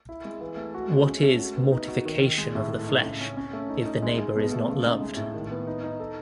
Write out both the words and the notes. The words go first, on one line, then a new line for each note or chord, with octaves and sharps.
What is mortification of the flesh if the neighbor is not loved?
E4
G#3
E3
A3
F#4
G#3
C#4
A3
F#4
B3
D#4
F#4
D#3
D#3
G#3
A2
A4
D#4
C#3
C#4
C#4
A3
D#4
D#4
G#3
G#3
B2
A3
C#3
D#4
G#3
A2
D#3
B3
D#4
D#4
A4